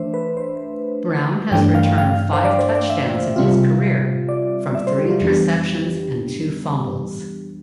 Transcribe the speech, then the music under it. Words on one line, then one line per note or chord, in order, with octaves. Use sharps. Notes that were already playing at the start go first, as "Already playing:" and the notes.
Brown has returned five touchdowns in his career, from three interceptions and two fumbles.
Already playing: E3 A3 D4 C5 E5
B4
C5
G2 E3 A3 D4 G5
F5
F5
C5
D5
C5
D5
E5
C3 G3 C4 F4
D5
E5
C5
G4
F4
F2 E3 G3 B3 D4 G4